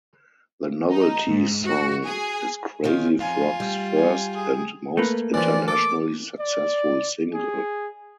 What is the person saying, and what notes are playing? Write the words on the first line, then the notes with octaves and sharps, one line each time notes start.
The novelty song is Crazy Frog's first and most internationally successful single.
D#4
G#2
F#4
G#4
D#3 C#4 F4
F2 F4 G#5
G3
G#5
G#4
A3 A#3 B4
E3 F3 D5
A4 D6
D5
G#4